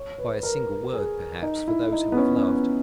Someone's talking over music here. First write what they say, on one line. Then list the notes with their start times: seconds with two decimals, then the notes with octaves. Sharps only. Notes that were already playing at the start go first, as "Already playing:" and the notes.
By a single word, perhaps, for those who have loved.
Already playing: C#5
0.18 B4
0.43 A#4
0.93 G#4
1.43 D#4
1.68 E4
1.92 D#4
2.12 B3
2.17 C#4
2.37 C#4
2.55 B3